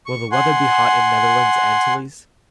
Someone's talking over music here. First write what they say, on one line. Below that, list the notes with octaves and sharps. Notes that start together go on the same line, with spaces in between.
Will the weather be hot in Netherlands Antilles?
C#6
F#5 G#5 C6